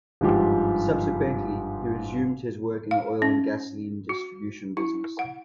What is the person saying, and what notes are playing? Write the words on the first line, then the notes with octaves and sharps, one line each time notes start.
Subsequently, he resumed his work in the oil and gasoline distribution business.
G1 G#2 F3 G4
F5
C#4
F#4
E4
F#5